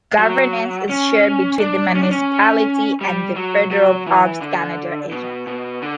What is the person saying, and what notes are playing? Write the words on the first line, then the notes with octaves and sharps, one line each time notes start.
Governance is shared between the municipality and the federal Parks Canada agency.
F#3
C#4
D4
C#4
D4
C#4
G3
F#3
F#3
E3
D3
B2
B2
D3